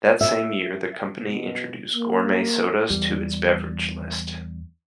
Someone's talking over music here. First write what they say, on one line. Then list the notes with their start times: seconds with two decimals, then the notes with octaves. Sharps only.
That same year, the company introduced gourmet sodas to its beverage list.
0.21 E5
1.24 B2
1.93 A#3
2.90 E2 G3